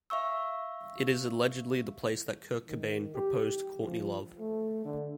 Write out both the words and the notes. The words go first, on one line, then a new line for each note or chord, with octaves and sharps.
It is allegedly the place that Kurt Cobain proposed to Courtney Love.
E5 F5 C#6 E6
D#3
G4
F3
A3
D3